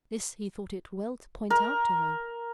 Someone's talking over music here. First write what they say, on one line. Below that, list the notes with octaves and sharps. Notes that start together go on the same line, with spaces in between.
This he thought it well to point out to her.
A#4